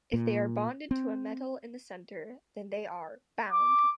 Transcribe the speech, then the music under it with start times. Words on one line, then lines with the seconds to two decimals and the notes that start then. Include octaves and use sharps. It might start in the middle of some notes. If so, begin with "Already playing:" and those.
If they are bonded to a metal in the center, then they are "bound".
0.13 A#2
0.91 C4
3.52 D6